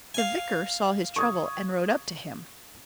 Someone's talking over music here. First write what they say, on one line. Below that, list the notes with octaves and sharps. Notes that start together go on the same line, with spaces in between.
The vicar saw his trouble, and rode up to him.
F5 G#5
C#6 D#6 G#6